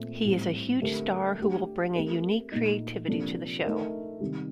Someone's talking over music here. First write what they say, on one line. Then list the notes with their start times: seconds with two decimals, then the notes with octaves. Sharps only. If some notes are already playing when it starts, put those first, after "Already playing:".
He is a huge star who will bring a unique creativity to the show.
Already playing: A#2 A3 C4
0.25 A2 G3 C4
0.82 D3 A3 C4 G4 A#4
1.38 A3 D4 G4
1.95 A3 C4 G4 A#4
2.52 A#2 A3 D#4
3.08 C3 F3 A#3 D4 A4
3.64 A3 D#4 A#4
4.20 C3 D#3 G3